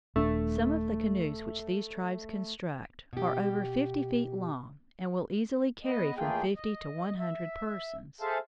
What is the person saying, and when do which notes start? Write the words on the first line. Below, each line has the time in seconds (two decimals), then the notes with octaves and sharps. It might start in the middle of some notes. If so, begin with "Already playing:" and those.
Some of the canoes which these tribes construct are over fifty feet long and will easily carry from fifty to one hundred persons.
0.16 D#1 A3 D4
3.13 B2 G4
5.85 B3 D#5
6.17 E2 A3 A#3 F4 G#4 G5
6.56 D#5
7.19 E5
8.21 G#4 A4 C5 E5 F5 A5